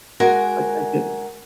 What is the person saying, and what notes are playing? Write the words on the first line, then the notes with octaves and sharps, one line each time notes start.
like, I can
G#3 F#4 A#4 G#5